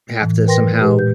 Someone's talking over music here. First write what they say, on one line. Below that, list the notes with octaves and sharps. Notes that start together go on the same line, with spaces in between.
have to somehow
A2 E3
A#4 B4 G5 C6 A#6
A#2 G#3 G4 B4
G6